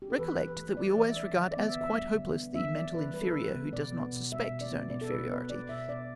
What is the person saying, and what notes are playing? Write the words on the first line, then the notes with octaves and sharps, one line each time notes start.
Recollect that we always regard as quite hopeless the mental inferior who does not suspect his own inferiority.
G4
A4
E3 B4
E3
B4
A3
A3 D5
E3 D5
E5
E3 D5
D3
D5
B3
E5
D3
E5
G3
D3
B3
E3 E5
B3 D5
E3 B4
G3 B4
A4
E3 B4
B3
B2 D5
B3
B2
G3 E5
B2
D5
B3
B2 D5
A4
B2 B4
B3 B4
B3 D5
B2 E5
B2 D5